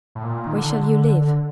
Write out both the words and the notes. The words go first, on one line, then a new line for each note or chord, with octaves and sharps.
Where shall you live?'
A2
A#2
D#3
D3
D3